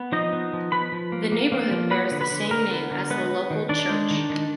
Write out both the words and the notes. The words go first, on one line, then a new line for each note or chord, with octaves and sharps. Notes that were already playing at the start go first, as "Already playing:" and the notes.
The neighborhood bears the same name as the local church.
Already playing: B3
F3 D#4 D#5
B3
F3
F3 B4 B5
F3
A#3
A#3
A#3
F3
B3 B4 B5
D3
B4 B5
D3
D3 A#4 A#5
B3
D3
G#3 B3 B4
B3
D#3
D#3 D4 D5
G#3
D#3
D#3